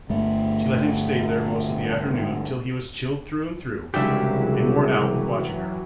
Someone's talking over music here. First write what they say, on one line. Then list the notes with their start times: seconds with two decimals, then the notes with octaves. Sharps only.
She let him stay there most of the afternoon till he was chilled through and through and worn out with watching her.
0.09 G1 A3
3.94 C2 C#3 E3 F#3 G#3 D4 G4 E5